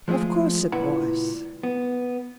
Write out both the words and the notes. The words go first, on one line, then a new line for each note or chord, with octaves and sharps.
"Of course it was!"
F3 G#3 A3 F4 G#4
C#2 A#2 E4 B4 F#5 B5
B3